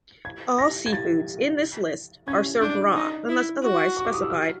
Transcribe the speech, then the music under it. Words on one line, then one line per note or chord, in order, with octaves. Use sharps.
All seafoods in this list are served raw unless otherwise specified.
G#6
A#6
G#6
A6
C#4 G#6
D4 G6
D#4
E4
F#4
C#6
D6
D#6
E6
F6